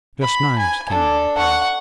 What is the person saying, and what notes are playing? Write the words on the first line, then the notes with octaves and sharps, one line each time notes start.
"Just knives," came the reply.
B5
G#5
D4 A4
F#5 C#6